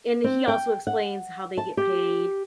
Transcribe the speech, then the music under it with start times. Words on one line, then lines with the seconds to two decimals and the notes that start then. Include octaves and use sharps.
and he also explains how they get paid
0.24 C4
0.48 G5
0.87 F#5
1.57 A5
1.77 G4